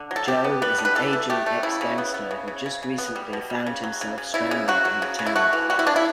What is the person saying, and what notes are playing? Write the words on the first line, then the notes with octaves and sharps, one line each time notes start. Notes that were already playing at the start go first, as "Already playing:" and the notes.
Jo is an aging ex-gangster who just recently found himself stranded in the town.
Already playing: D3
F#3
A4
G3 G4
B3
G3 B4
D3
B4
E3 A4
A3
A3 G4
A3
C#3 E4
C#3
B3
B3
C#3
C#3
C#3
C#3
B3
G3
B2
G3
C#3
F#3
C#3
C#3
C#3 E4
C#3
F#3 F#4
F#3
C#3
C#3
E4
A3 F#4
E3
G3 F#4
E4
C#3 D4
E4